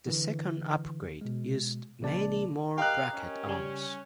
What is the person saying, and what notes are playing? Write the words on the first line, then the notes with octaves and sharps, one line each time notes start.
The second upgrade used many more bracket arms.
D3 E3
B2 G#3
A#1 C#3 A#3 D5 A5
G4 A#4 D#5 F5 G5 F#6
C#4
C#3 G3 G#5